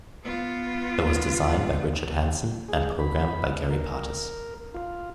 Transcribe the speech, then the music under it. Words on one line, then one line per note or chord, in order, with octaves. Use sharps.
It was designed by Richard Hanson and programmed by Gary Partis.
B3 F4
G#4
B5
A#4
F4